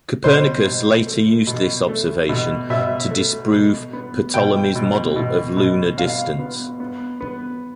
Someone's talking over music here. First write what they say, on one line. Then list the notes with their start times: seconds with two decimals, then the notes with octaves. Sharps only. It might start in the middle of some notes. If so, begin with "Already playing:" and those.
Copernicus later used this observation to disprove Ptolemy's model of lunar distance.
0.24 B2 C5
0.65 B2
1.07 A3
1.47 B2
1.88 A3
2.29 B2
2.70 B2 E5
3.11 A3
3.52 B2
3.93 B3
4.34 B2 G5
4.76 B2
5.16 B2
5.57 B2
5.98 B2 F5
6.39 B3
6.80 B3
7.21 B3